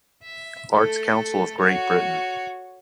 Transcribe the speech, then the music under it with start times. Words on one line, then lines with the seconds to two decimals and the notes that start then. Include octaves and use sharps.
Arts Council of Great Britain.
0.22 E5
0.73 A3 A4
1.60 F#4 C#5